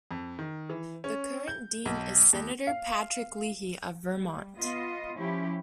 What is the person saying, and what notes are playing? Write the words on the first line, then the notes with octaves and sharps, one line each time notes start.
The current Dean is Senator Patrick Leahy of Vermont.
F2
D#3
E3
C#4
G6
B1
D#2
F5
G3
B3 F4 D#5
F3 C#4 E4 G4